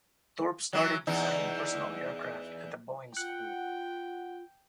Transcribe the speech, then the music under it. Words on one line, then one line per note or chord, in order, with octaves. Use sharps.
Thorp started designing personal aircraft at the Boeing School.
E3 F#3
E2 E3 D#4
F4 F#5 G5